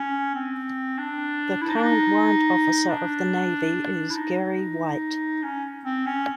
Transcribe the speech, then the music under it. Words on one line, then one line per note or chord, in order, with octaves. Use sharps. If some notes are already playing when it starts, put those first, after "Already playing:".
The current Warrant Officer of the Navy is Gary Wight.
Already playing: C#4
C4
D4
E4
D#4
D4
D#4
D4
E4
D#4
C#4
C4
C#4